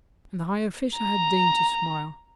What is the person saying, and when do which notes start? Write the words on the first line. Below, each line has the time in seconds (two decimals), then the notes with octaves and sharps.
And the high official had deigned to smile.
0.97 A#5